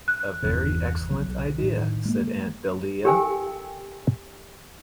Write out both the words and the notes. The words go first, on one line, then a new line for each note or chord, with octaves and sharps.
"A very excellent idea," said Aunt Dahlia.
F#6
G1 E2 C3
B1 F#3
A2 D#3
G#3 A#3
G4 A4 A#4 G5 G#5